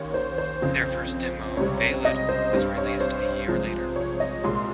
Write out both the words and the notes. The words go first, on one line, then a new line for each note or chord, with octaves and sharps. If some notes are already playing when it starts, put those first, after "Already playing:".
Their first demo, "Feiled", was released a year later.
Already playing: D#2 D#3 A#3 C#4 C#5
C5
C5
F2 C#3 F3 C4
C#2 C3 G3 C4 C#5
D#5
C5
G2 G3 C4
C#5
C5
C3 F3 G#3
C#5
D#5
C2 A#2 G#3 C6